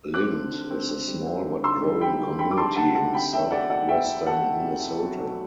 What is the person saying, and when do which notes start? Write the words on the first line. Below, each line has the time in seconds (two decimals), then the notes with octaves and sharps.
Lynd is a small but growing community in southwestern Minnesota.
0.14 C4 D6 F#6
0.32 D3
0.52 D3
0.70 C4
0.89 C4
1.07 G3
1.26 C4
1.45 D3
1.64 D3 C6 E6
1.82 G3
2.01 D3 G5 B5
2.20 D3
2.39 D3 G5 B5
2.51 D6
2.57 G3 A5 C6
2.76 D3 F#5 A5
2.95 D3 F#5 A5
3.14 C3 G5 B5
3.33 A3 E5 G5
3.51 E2 D5 F#5
3.69 A3 D5 F#5
3.89 E2 E5 G5
4.07 E2
4.26 A3 F#5 A5
4.45 A3
4.64 C3
4.82 E2
5.01 F#3
5.20 A3